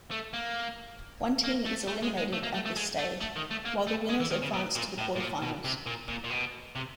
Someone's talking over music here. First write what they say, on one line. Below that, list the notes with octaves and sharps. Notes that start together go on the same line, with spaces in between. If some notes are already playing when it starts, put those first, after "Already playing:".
One team is eliminated at this stage, while the winners advance to the quarter-finals.
A3
A#3
A#3
A3
A3
G#3
G#3
A3
A#3
A3
A3
G#3
A3
A3
D#3
A3
A#3
A3
G#3
E3
D#3
C#3
B2
A#2
A2
A2
A#2
B2
C3
A#2
A#2
A#2
B2
C3